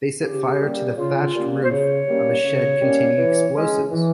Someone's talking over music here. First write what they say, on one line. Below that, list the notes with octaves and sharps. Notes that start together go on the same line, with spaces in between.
They set fire to the thatched roof of a shed containing explosives.
C#3 G4
G3 A#3 C#4
C#3 F4
G3 A#3 C#4
C5
C#3 C#5
G3 A#3 C#4
C#3
G3 A#3 C#4
E3
G#3 C#4
E3